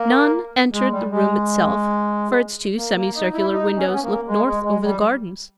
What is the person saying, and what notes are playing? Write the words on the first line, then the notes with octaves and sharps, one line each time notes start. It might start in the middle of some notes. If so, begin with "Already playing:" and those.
None entered the room itself, for its two semi-circular windows looked north over the gardens.
Already playing: A#3
G#3
G3
G#3
A#3
A#3
D#4
E4
D#4
C#4
B3
C#4
A#3
G#3
G#3
G#3
G3